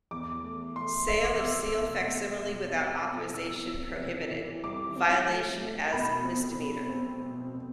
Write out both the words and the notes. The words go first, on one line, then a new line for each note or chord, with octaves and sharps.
Sale of seal facsimile without authorization prohibited-Violation as misdemeanor.
E2 D6
A3
A3 C6
B2 E5
D6
C4 E6
B2
A3
B2
C4
C4
E3 E6
C4
C3
E3
G3 D6
C4
A3
A3
B2 B5
C4
B2
C4
B2
B2